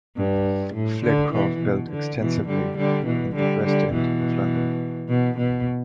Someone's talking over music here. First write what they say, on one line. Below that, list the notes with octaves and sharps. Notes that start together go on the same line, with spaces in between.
Flitcroft built extensively in the West End of London.
G2
A2
D3
B2 E3
B2
D3
B2 E3
D3 G3
D3 G3
B2 E3
D3 G3
D3 G3
B2 E3
B2
B2